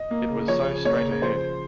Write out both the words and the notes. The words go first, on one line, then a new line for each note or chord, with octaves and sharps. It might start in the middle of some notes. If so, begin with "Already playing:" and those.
It was so straight-ahead.
Already playing: D#5
A#3
C#3
F3 C#5
C#3
A#3 C#5
C#3
F3 C5
C#3